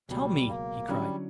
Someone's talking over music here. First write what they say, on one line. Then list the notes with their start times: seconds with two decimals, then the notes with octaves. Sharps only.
"Tell me!" he cried.
0.09 C#2 B2 F#3 G3
0.49 A#3
0.88 D3 F#3 G3 C#4 E4